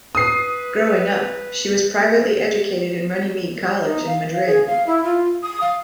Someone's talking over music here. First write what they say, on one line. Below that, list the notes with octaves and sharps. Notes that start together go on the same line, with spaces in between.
Growing up, she was privately educated at Runnymede College in Madrid.
B4 D#6 C7
D#4
F5
F5
G#4
F5
E4
F4
D#6
F5